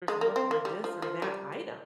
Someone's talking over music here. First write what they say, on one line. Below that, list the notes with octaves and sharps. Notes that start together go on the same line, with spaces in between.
more for this or that item."
G#3
A#3
C4
A#3
G3
F3
F3
G3